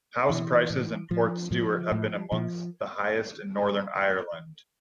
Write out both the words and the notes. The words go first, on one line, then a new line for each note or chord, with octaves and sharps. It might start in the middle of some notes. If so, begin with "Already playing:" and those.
House prices in Portstewart have been amongst the highest in Northern Ireland.
B2 E3
A2
A2 F3
A2 F3
A2
A#2 F3